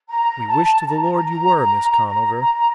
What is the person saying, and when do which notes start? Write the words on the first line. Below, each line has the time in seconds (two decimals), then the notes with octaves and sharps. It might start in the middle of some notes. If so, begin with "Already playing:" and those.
But we wish to the Lord you were, Miss Conover.
0.09 A#5
0.48 A5
0.87 A#5
1.01 A#5
1.14 A#5
1.27 A#5
2.06 A#5